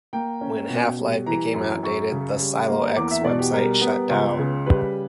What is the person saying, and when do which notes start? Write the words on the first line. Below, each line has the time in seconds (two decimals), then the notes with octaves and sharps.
When "Half-Life" became outdated the "Silo X" website shut dow.
0.13 A#3 G5
0.41 C#4
0.70 B2
0.98 G3
1.26 E3 A#5
1.54 F#2
1.83 F#2 C#6
2.12 C#3
2.39 G3
2.68 A#3
2.97 E2 D6
3.11 E5
3.24 B2 D5
3.39 G4
3.53 G3 A#4
3.81 B3
4.10 C#2
4.39 C#3
4.66 G3 B4